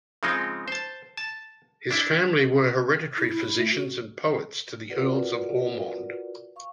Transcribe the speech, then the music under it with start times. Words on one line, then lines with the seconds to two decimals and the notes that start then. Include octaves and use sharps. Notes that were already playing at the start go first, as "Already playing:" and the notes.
His family were hereditary physicians and poets to the Earls of Ormond.
0.23 C#3 F3 G#3 C4 D#4
0.68 C5 A5
1.17 A5
1.91 D4 E4
3.18 E4
3.30 E4
3.58 A3
3.71 F#4
4.90 F4 F#4 A#4 B4 D5 F#5
6.56 F5 C#6